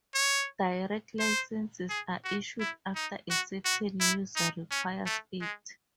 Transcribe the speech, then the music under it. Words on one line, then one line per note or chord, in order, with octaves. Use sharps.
"Direct Licenses" are issued after a certain user requires it.
C#5
C5
G#4
F#4
E4
D#4
F#4
F#4
E4
D#4
C#4
A3
G#3